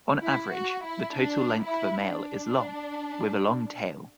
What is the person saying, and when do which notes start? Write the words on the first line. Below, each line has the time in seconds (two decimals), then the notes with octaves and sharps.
On average, the total length of a male is long, with a long tail.
0.21 E4
0.53 F#4
0.84 E4
1.15 D4
1.62 E4
2.09 D4